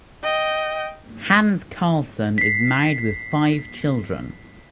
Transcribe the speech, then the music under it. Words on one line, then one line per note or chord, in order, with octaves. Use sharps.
Hans Karlsson is married with five children.
D#5 G5
B6 C7